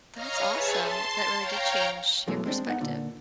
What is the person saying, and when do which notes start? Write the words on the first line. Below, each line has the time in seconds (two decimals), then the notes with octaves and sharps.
That's awesome. That really did change your perspective.
0.12 C#5 D#5 F5 A#5 F6
0.49 G#4 B4 C#5 E5 G#5 A5
0.78 A5 C6
1.37 C#5 F5 G5 A#5
2.27 F#2 B2 E3 G#3 A3
2.46 G#3 C4 D4
2.66 B3 D#4 F#5
2.80 A#2 D3